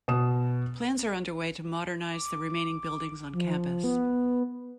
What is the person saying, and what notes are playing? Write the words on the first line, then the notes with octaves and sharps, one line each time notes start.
Plans are underway to modernise the remaining buildings on campus.
B2 D#6 E7
D6
F3
B3